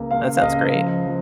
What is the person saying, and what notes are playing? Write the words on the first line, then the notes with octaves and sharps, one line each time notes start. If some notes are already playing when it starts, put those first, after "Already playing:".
That sounds great.
Already playing: C#2 A#3
C#2 F5
F5
C#2 D#5
F3
F3